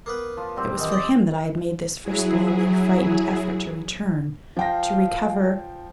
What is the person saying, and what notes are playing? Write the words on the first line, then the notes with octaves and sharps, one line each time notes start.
It was for him that I had made this first lonely, frightened effort to return, to recover....
A#3 B3 B4
F3
G3 C4 G4
F#2 D#3 E3
D5 D#5 G5
F#3 E4 G#4
F3 F5 G5 A#6